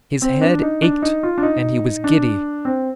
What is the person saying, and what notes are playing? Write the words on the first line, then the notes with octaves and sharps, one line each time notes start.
His head ached and he was giddy.
C4
D4
D#4
D4
D#4
F4
D4
D#4
D4
C4